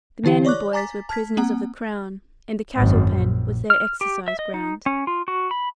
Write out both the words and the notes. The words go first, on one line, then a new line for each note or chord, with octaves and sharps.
The men and boys were prisoners of the Crown, and the cattle-pen was their exercise ground.
D3 E3 E4 G4 F5
C#5 D5 C#6 D6 F#6
G#5 A#5 D6 A6 B6
A5 F6 G#6 B6
A#3 C4 F#5 A#5
G#1 F#2
A#1
F6
G4
E5
D#5
D#4
C#4
F4
F#4
B5